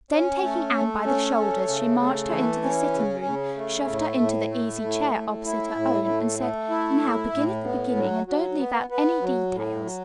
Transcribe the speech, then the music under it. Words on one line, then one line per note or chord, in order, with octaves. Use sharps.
Then taking Anne by the shoulders she marched her into the sitting room, shoved her into the easy-chair opposite her own and said, "Now, begin at the beginning, and don't leave out any details."
C#4
A3
A3
C#4
A3
C#3
A3
E3
C#4
C#3
C#3
A3
A2
A2
A3
A2
A2
E4
A2
A3
A3
E4
A2
A2
B3
F#3
F#3
B3
B3
F#3
A2
F#3